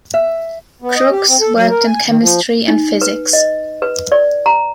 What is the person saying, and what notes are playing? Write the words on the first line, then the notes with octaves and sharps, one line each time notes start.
Crookes worked in chemistry and physics.
E5
B3
D#5
G4
C4
A4
F#3
A#4
G#5
D#3
F3
D#4
B4
D#5
B4
D5
A#5